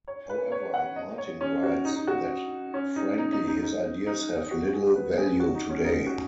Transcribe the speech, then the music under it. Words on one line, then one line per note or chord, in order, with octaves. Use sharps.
However, Martin writes that "frankly, his ideas have little value today".
C#5
B4
C#5
F#5
D#5
C#5
C#4
F#4
D#4
D#4
F#4
C#4
D#4
D#4
D#4
D#4
D#4
D#4
F#4
G#4
B4
G#4
F#4
D#4
C#4
D#4
F#4